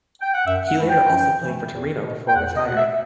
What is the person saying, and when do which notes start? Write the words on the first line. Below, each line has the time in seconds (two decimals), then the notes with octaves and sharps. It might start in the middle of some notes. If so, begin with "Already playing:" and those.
He later also played for Torino before retiring.
0.21 G5
0.34 F#5
0.47 F#2 E5
0.68 F#5
0.79 E3 A3
0.89 G5
1.09 F#2
1.41 E3 A3
1.72 E2
2.04 B2 A3
2.28 G5
2.36 E2 F#5
2.57 D#5
2.67 B2 A3 F#5
2.77 E5